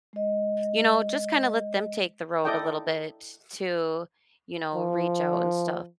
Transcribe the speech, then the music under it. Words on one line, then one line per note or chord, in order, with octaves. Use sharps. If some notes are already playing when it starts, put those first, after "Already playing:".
you know, just kinda let them take the road a little bit to, you know, reach out and stuff.
G#3 D#5
E4 A4 D5 D#5 G5
F3